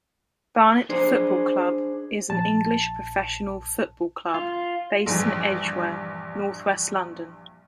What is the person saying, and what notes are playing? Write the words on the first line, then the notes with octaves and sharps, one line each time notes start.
Barnet Football Club is an English professional football club based in Edgware, north-west London.
D4 G#4 C5
A#1 A5
F4
A#1 G2 E3